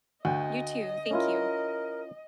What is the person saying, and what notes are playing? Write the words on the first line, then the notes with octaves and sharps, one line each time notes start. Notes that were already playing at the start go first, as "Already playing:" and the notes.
You too. Thank you.
D2 F#4 D#5 G5
C#4 E4 F4 A#4